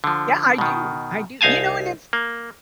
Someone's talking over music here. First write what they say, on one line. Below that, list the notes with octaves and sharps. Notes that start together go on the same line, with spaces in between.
Yeah, I do, I do. You know, and it's
D3 F3
B2 D#3
C2 D#4 F5 G#5 A5
A#3